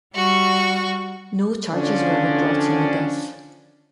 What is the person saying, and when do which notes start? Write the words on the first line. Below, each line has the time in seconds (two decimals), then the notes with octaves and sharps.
No charges were ever brought in the deaths.
0.13 G3 F#4 C#6
1.73 D3 F3 C#4 D4